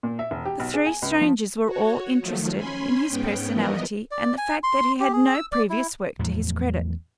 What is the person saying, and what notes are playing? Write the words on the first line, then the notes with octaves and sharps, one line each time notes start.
The three strangers were all interested in his personality and the fact that he had no previous work to his credit.
A#2
E5
E1
G4
B1
G#4
G#5
C#2
F3
F#4 C#5
D#3 F3 F#3 A3
C#4 G#5 B5 C6
G#2 B3 C#4 G5
E3 F3 G3 B3 A#4 D#5
D5
G#5
C6
G4
G#4
E6
D5
E4
E2 A2 F3 F#3